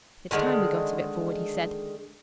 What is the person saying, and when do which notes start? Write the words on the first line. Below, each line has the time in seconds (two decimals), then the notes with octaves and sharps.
"It's time we got a bit forward," he said.
0.31 D3 D#3 F#3 G#3